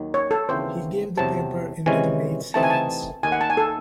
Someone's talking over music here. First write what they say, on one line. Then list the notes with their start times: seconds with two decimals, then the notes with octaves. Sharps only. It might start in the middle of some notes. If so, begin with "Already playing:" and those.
He gave the paper into the maid's hands.
Already playing: D#2 D#3 F#3
0.14 C#5
0.31 A4
0.49 D#2 C#3 E3 C4 F#4 C5
1.17 E2 C3 F#3 C4 A5
1.86 C3 E3 G#3 C#4 G#5
2.54 C3 E3 A3 C4 D#4 A5
2.63 G#5
2.70 A5
3.23 D#2 D#3 A3 G#5
3.32 F#5
3.41 A5
3.50 G#5
3.57 A4